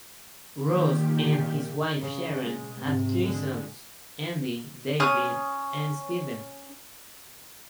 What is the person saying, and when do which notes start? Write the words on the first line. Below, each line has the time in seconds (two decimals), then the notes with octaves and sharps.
Ross and his wife, Sharon, have three sons: Andy, David, and Steven.
0.64 A#2 D#3 G4
2.00 C#3
2.43 B2 G#3
2.81 G#2 C3
3.22 D3 G#3
5.00 C#4 D#6